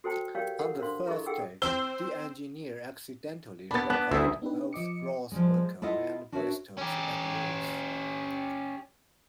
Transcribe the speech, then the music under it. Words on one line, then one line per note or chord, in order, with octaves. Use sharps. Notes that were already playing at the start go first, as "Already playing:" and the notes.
On the first take, the engineer accidentally recorded both Ross's vocal and Bristol's ad-libs.
F#4 A4 C5 G5 A5
G4 A#4 C#5 D5 F5 G5
A4 A#4 F#5
D4 A#4 C5 F5 C6
E4 G#4 A4 D#5 C#6
G#4 A4 F#5 G5 E6
C4 C5 E6 G7
B3 D4 B5 A6
B3 D4 F#6
D2 E4 D#6 E6
B3 D4 D#4 G4 B4
F3 D#5 D6 C#7
F3 G3 G#3
E4 F4 A4 D#5 E5 F#5
D4 F#4 A#4 B4 C#5 E5
C#4 G4